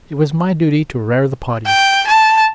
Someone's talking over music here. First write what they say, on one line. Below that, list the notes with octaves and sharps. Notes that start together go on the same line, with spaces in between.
It was my duty to "rare the poddies".
G5
A5